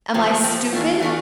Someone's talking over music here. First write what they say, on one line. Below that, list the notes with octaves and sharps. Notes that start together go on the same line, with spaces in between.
Am I stupid?
C3 F3 C4
C3 F3 C4
E3 A3 D4 F4
E3 A3 D4 F4